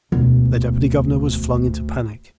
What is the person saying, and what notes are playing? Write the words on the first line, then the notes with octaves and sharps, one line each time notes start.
The Deputy-Governor was flung into panic.
E1 D2